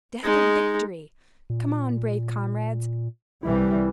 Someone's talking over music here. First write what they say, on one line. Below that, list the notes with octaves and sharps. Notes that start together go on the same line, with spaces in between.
Death or victory!" "Come on, brave comrades!
G#3 D#4
A#2
C2 E3 G3 E4